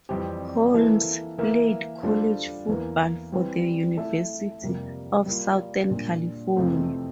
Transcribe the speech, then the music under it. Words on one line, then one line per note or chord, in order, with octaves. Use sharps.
Holmes played college football for the University of Southern California.
F2 E3 G3 C4 G4
E3 A#3 E4 A4 E5
E3 A#3 E4 A#4 E5
G3 D4 F4 A4 C5
E2 E3 A#3
E3 G3 C4
A3 E4 A4 E5
F2 C3 G3 A#3
G3 A#3 F4
A#2 G3 D4
F2 C3 E3 A3 C4